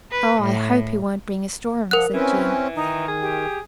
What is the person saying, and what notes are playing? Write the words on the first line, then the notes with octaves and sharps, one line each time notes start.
"Oh, I hope he won't bring a storm," said Jean.
B4
A2
F3 A#4 F#5 F#6
E3 C4 C#4 B4
D#3 D#4
G#4
G4